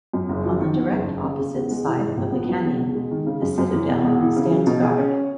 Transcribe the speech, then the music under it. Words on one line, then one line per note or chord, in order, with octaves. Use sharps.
On the direct opposite side of the canyon The Citadel stands guard.
F#2
F#1
F#3
D#3
E2
F#1
F#1
C#3
C#3
E2
G#3
E3
G#2
A#1
B3
F#3
E2
E1
G#3
D#3
C#3
F#2
F#2
E3
E2
E1
E3
C#3
F#3
B2
G#4
C#4